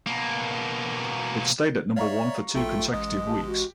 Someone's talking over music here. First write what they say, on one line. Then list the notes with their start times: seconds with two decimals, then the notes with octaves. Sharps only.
It stayed at number one for two consecutive weeks.
0.07 B2 A#3
1.96 C#5 D5 E5 F5 A#5 C#6
2.55 A#1 A3 F4 G5
2.93 A1 G#3 D#5
3.27 G4 A5
3.47 F#4